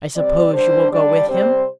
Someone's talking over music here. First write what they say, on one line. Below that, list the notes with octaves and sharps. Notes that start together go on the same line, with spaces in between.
"I suppose you will go with him?"
C3 G3 C4 D5
D3 G3 D4 C5
D3 G3 D4 D5
C3 G3 C4 C5